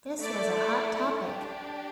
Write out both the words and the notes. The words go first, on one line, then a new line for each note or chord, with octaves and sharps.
This was a hot topic.
A3 E4 A4 D5
D4 G4